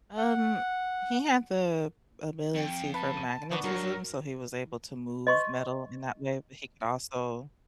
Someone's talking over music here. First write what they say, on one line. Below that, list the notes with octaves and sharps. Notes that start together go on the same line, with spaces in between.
Um, he had the ability for magnetism, so he was able to move metal in that way, but he could also
F#5
F2 G5
B4 A5
D#7
D#3 B3 D4 F#4 B4
G2 F#3 A#4
D#5 C6 C#6